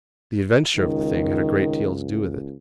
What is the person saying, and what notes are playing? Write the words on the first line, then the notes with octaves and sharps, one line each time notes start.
"The adventure of the thing had a great deal to do with it."
C#2 D#3